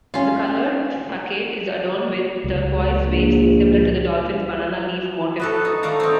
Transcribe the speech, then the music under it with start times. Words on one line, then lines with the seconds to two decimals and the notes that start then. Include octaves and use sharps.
The colored facade is adorned with turquoise waves similar to the Dolphin's banana-leaf motif.
0.14 C#4 F4
2.44 C#2
3.04 A#1
5.40 B3 F#4 A4
5.65 D#4
5.83 D#3 A3 D5 F5 A#5
6.00 C4 D#4